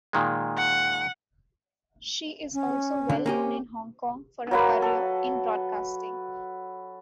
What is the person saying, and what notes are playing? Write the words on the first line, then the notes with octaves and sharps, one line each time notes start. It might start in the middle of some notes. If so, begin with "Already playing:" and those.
She is also well known in Hong Kong for her career in broadcasting.
A#2 D#3 G#3
F#5
C#4
D3
A#3 C#4 G4 G#5
F#3 A#3 B4
A4